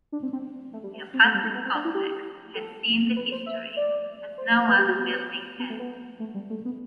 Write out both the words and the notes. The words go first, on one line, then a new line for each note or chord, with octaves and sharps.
The apartment complex had seen the history as no other building had.
D4
C4
C4
A3
G3
A3
C4
A3
G3
A3
B3
C4
D4
E4
G4
A4
B4
C5
E5
D5
C5
B4
G4
F#4
B3
B3
A3
B3
A3
G3
A3
B3